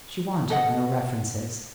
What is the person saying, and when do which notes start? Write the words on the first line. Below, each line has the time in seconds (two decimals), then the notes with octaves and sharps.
She wanted no references.
0.50 A4 D#5 F#5